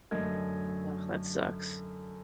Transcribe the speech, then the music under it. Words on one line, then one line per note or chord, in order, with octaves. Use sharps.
Ugh, that sucks,
F#2 D3 A3 D#5 G#6